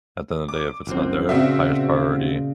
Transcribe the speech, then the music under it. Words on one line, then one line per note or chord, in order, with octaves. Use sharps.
at the end of the day, if it's not there, highest priority,
D6
G1 F#2 C4
A#2 C#3 C4 F#4 E5